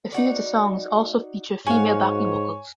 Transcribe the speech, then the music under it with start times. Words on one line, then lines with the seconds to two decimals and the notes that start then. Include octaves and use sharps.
A few of the songs also feature female backing vocals.
0.12 D#4 F#4 D5
1.67 G#2 F#4 C#5 F5 G#5